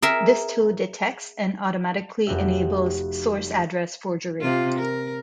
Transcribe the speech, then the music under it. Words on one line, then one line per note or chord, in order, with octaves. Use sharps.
This tool detects and automatically enables source address forgery.
G#4 A#4 E5
F1 F#4 G4 E5
C3 F4
A#4